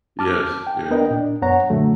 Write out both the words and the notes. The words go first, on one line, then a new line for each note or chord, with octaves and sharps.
Yes, yeah.
A5 D6 F6
G5
B3 D4 A#4 D#5 G5
A#2 D4
F#2 B3 C#5 F#5 A#5
A#2 D3 F#3 A3